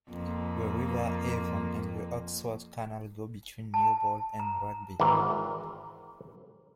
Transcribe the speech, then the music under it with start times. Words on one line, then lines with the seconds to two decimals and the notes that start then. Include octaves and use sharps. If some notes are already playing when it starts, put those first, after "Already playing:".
The River Avon and the Oxford Canal go between Newbold and Rugby.
0.10 F2 A#3
3.74 A5
4.40 A#5
5.00 G#1 E3 A#4